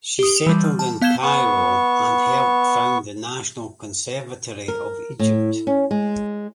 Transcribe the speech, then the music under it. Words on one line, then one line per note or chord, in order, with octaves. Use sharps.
She settled in Cairo and helped found the National Conservatory of Egypt.
G4 D#6
E3 G3
F6
A5
B3 F5 G6 G#6 E7 G7
B3 C#6
A#4
A2
C#4
G#3